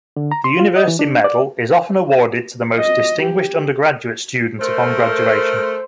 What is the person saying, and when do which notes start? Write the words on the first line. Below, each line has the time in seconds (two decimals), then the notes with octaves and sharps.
The University Medal is often awarded to the most distinguished undergraduate student upon graduation.
0.16 D3
0.32 A#5
0.44 C6
0.59 F4
0.76 D#5
0.88 E3
0.99 D4
1.24 D5
2.76 D#5
3.22 G4
4.60 A3 A#4 C5